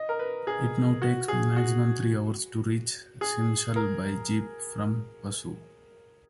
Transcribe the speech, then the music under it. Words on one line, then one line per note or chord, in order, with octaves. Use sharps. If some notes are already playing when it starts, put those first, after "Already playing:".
It now takes maximum three hours to reach Shimshal by jeep from Passu.
Already playing: D#5
A#4
B4
G#4
F#4
G#4
F#4
G#4
A#4